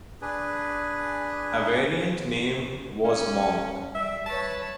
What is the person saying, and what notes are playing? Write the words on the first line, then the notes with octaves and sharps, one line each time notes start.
A variant name was "Monk".
D4 G#4 B4
C#4
G3 E5
B4 C#5 A5